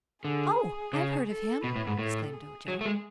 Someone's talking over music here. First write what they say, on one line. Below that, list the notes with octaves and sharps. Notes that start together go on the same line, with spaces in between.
"Oh, I've heard of him!" exclaimed Ojo.
D3 G#4
C#3
A4
B2 B4
A2
G#2
A2 A4
G#4
F#3 G#4
A3
G#3